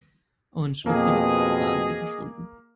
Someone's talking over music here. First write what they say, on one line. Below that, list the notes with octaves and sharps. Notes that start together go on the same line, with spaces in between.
Und schwuppdiwupp waren sie verschwunden.
F2 B2 A#3 G#4 D#5